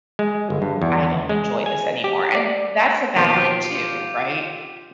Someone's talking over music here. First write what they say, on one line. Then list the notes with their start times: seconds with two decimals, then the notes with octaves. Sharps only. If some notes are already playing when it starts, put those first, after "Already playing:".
I don't enjoy this anymore." And that's a valid too, right?
0.19 G#3
0.50 G1
0.62 G2
0.82 E2
1.29 G#3
1.66 G#5
2.04 G4
2.35 D5
3.16 D#2 B2 F3 F4 G4